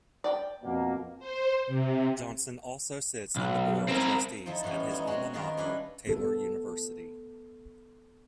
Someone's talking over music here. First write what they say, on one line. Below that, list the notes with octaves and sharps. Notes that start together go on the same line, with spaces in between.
Johnson also sits on the Board of Trustees at his alma mater, Taylor University.
D5 G5
F2 B2 A#3
C5
C3
B1
C4 A#4
F3 D#4 E4 A4
A2 E3 G3 B3 C#4
G#3 D#4
G#3 C4 C#4 F#4
D#3 B3 F4 A#4
G3 C#4 D4 E4 B4
B3 A4